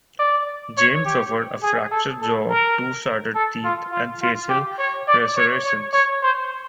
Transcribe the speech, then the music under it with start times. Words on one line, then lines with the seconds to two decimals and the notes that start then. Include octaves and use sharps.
James suffered a fractured jaw, two shattered teeth and facial lacerations.
0.19 D5
0.77 C#5
1.05 G4
1.63 G#4
1.91 A4
2.21 A4
2.50 A#4
3.35 A4
3.64 F4
3.92 F4
4.22 F4
4.49 G4
4.78 C#5
5.08 D5
5.36 C#5
5.64 C#5
5.93 C#5
6.23 C5